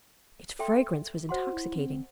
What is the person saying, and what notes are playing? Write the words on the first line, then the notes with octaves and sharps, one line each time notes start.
Its fragrance was intoxicating.
A4 E5 G5 C6
F#4 C5 F#5 C6
E4
C4